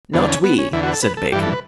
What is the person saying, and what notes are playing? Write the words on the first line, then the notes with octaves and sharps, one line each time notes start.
"Not we," said Bacon.
E2 D3 B3
C#4
B3
C#4
E2 D3 E4
F#4
B4
A4
B4
A4
G2 E3 G4
A4
B4